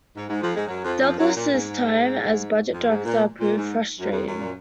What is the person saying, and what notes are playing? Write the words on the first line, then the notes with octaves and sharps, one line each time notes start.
Douglas's time as budget director proved frustrating.
G#2
G#2
F2 F3
G#2 G#3
F#2 F#3
F2 F3
F2 F3
F#2 F#3
A#2
G#2
F2
G#2
A#2
A#2
G#2
F#2
F2
F#2
A#2